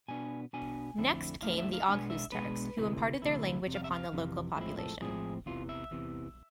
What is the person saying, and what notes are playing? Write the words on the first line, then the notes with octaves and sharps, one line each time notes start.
Next came the Oghuz Turks, who imparted their language upon the local population.
B2 B3 D4 G#5
B2 B3 D4 G#5
F2 D3 A3 C4 E4
F2 D3 A3 C4 E4 F5
E5
F5
B2 G#3 B3 D4 G#5
E5
B2 G#3 B3 D4 B4
D2 C3 E3 A3 E4
D2 C3 E3 A3 E4
F2 C3
F5
E5
F5
F2 C3 E3
A2 F3 G#3 C4 E4 A4
A4
A2 F3 G#3 C4 E4 G#4
E2 C3 E3 F4
E5
E2 C3 E3